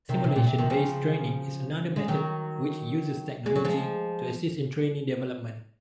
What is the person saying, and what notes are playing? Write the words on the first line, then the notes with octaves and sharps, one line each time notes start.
Simulation based training is another method which uses technology to assist in trainee development.
C3 D#3
C3
A#2
C3
C3 D#3
C#3 F3
G#3
D#3 F#3
G#3
F#3
F3 G#3